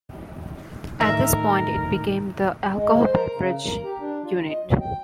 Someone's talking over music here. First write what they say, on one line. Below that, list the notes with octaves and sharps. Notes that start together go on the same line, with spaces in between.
At this point it became the "Alcohol Beverage Unit".
A2 D#3 A3 A#4 E5 A#6
G#3
C5
A#4
C#3
A#4
G4
D4
F4
D#5
F#3
G5